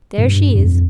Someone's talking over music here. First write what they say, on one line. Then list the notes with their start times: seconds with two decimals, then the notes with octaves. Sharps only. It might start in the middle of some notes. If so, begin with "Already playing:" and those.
There she is.
0.18 G2
0.55 F2